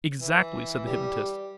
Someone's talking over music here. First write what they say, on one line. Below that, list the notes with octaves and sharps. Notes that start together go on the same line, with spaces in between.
"Exactly," said the hypnotist.
E3
G3